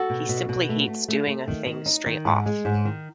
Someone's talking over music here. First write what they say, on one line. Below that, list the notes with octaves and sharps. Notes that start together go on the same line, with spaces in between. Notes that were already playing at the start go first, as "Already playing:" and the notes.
He simply hates doing a thing straight off.
Already playing: F#4 A4
B2
B2
B2
A3
A3
A3
A3
D#3
D#3
D#4
D#3
G#2
G#3
G#2
D#3